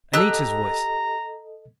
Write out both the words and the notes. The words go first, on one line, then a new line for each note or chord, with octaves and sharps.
Anita's voice!
G4 A4 D#5 A#5 E6 F#6